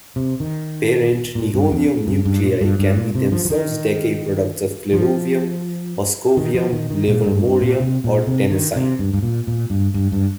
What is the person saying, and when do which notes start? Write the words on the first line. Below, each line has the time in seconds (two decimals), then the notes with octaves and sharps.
Parent nihonium nuclei can be themselves decay products of flerovium, moscovium, livermorium, or tennessine.
0.16 C3
0.40 D#3
1.35 A#2
1.54 G2
1.72 F2
2.07 G2
2.25 G2
2.43 A#2
2.61 G2
2.79 G2
2.97 A#2
3.15 C3
3.32 F3
3.45 F3
3.50 D#3
4.93 F3
6.37 D#3
6.54 F3
6.73 D#3
6.90 D#3
7.08 A#2
7.27 G2
7.44 G2
7.61 A#2
7.80 C3
8.04 A#2
8.27 C3
8.51 D#3
8.76 C3
8.99 G2
9.14 G2
9.23 A#2
9.47 A#2
9.70 G2
9.94 G2
10.12 G2